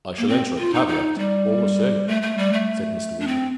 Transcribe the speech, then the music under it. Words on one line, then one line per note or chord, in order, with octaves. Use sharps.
"I shall enter a caveat, all the same," said Mr. Winwood.
A#3
C4
F4
D#4
D#4
G3
A3
A3
G3
A3
D4
C4